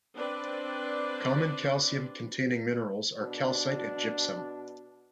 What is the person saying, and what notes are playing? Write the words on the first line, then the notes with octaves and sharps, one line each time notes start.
Common calcium-containing minerals are calcite and gypsum.
C4 D4 B4 D5
B2 D4